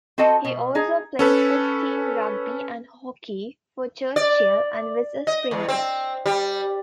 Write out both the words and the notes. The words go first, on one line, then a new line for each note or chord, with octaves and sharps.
He also played first team rugby and hockey for Churchill and was a sprinter.
C4 F#4 A4 D#5 A5
B2
D#4 G#4
C#4 A4 B4
D5
D#5
E2
C4
G3